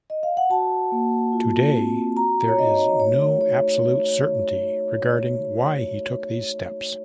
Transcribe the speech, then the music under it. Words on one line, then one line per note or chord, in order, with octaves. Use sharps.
Today, there is no absolute certainty regarding why he took these steps.
D#5
F5
F#5
F#4 A5
A#3
F4
C4
F#4 A#5
C#5
D#4 D#5
A3 C#5
F#4 C#5